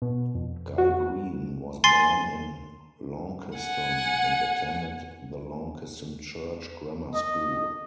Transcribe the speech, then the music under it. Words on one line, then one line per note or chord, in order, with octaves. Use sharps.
Guy Green was born in Launceston, and attended the Launceston Church Grammar School.
B2
F2
F#4
G#5 C6 A6 C7
F#5 G#5
D#5